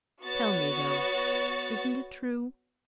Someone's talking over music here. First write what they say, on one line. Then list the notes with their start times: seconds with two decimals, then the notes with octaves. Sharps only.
Tell me, though, isn't it true?
0.22 B3 F#4 C#5 A6